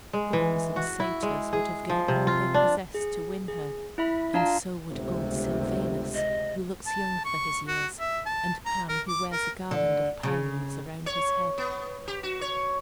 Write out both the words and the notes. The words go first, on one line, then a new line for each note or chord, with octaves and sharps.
The Fauns and Satyrs would have given all they possessed to win her, and so would old Sylvanus, who looks young for his years, and Pan, who wears a garland of pine leaves around his head.
G#3
E3
F#4
E4
G#3
G#4
F3
C3
F4
D4
G#4
G#4
E4 E5 B5
D4 F4 F5 A5 A#5
G1 C#2 C3
D#5
A5
C#6
F#4
E5
A5
A#5
A#4
D6
A#4
D3
C#3
C#5
B3
G4
F#4
C#5